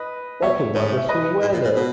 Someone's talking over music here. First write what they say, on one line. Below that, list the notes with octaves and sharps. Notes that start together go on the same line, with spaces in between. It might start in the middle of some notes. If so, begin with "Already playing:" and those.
What a wonderful weather!
Already playing: B4 D#5
B2 C#5 E5
G#2
E5
B4 D#5
G#2
A#2
A#2
B2